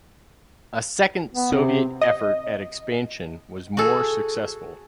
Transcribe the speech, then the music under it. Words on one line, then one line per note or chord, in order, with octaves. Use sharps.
A second Soviet effort at expansion was more successful.
B3
C3 C4
D#5
F#4 G#4 A4